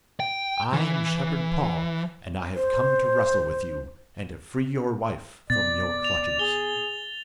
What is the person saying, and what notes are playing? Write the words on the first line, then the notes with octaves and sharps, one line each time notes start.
I am Shepherd Paul, and I have come to wrestle with you, and to free your wife from your clutches.'
G5
E3
C5
B2 D5 A6
F7
G#4 G7